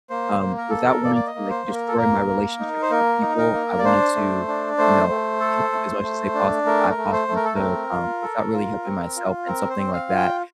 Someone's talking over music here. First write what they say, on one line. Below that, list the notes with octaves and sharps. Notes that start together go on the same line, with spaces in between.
um, without wanting to, like, destroy my relationships with people, I wanted to, you know, help them as much as they possi I possibly could, um, without really helping myself in something like that.
A#3 C5
A#3
A#4
A4
A#4
A#3 D5
D5
D#5
A#3
C5
A#3
A#4
A4
A#3 A#4
A#3
D#4
C5
A#3 A#4
D#4
A#4
A#3
D5
D4 C5
A3
D4
A3 C5
A3
A4
A3
A3
D4
A3 A#4
A#4
A3
C5
A3
A#4
A4
C4 A#4
F4
A4
F4
C4
F4
C4 A#4
C5
C4
F5
F4
G5